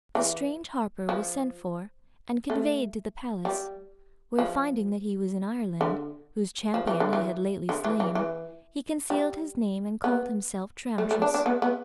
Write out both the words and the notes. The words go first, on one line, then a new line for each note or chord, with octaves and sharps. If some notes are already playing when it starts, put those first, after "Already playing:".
The strange harper was sent for, and conveyed to the palace, where, finding that he was in Ireland, whose champion he had lately slain, he concealed his name, and called himself Tramtris.
E3
F3
A3
G3
F3
D3
F3
E3
D3
E3
D3
E3
E3
E3
G3
B3
A3
A3
D4
D4
B3
B3